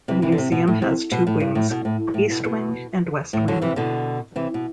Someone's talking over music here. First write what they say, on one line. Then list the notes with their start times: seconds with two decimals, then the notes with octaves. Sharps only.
The museum has two wings: east wing and west wing.
0.08 C3 E3
0.22 C3 E3
0.32 D3
0.38 C3
0.52 B2
0.67 A2
0.82 C3
1.12 B2
1.27 A2
1.40 G2
1.55 A2
1.71 B2
1.85 A2
2.14 A2
2.30 B2
2.44 B2
3.33 A2
3.48 D3 F#3
3.62 C3 E3
3.76 B2 D3
4.36 C3 E3
4.54 B2